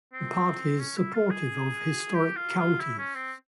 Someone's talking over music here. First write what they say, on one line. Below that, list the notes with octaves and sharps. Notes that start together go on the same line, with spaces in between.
The party is supportive of historic counties.
C4
C#4
E4
F4
G#4
G4
F4
F4
E4
C#4
C4